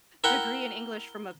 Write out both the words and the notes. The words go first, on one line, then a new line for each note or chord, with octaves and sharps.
degree in English from a p
E4 A#4 F#5 G5